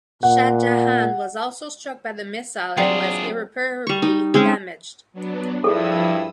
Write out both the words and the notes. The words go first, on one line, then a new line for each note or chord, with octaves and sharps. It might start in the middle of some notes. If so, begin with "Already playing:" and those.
"Shah Jahan" was also struck by the missile and was irreparably damaged.
A#2 F#5
F#3 C4 D4 F4 G#4 D5 G5
G3 C#6
D#4
G#3 C4 C#4 G#4
F#3 B3 D4
G2 F3 E4 G#4 A4 D#6 E6